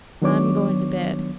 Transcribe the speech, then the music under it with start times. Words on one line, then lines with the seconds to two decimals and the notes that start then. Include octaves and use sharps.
"I'm going to bed."
0.22 D#3 F#3 B3 D4 C#5 D6